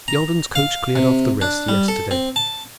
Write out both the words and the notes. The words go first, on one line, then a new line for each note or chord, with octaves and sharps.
Yalden's coach cleared off the rest yesterday.
A#5
F5
C3
D4
G3
A4
C4
A5